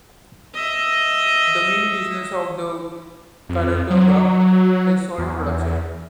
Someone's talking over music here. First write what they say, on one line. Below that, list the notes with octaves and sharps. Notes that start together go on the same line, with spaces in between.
The main business of the Kharaghoda is salt production.
D#5 E5
F2
F#3
E2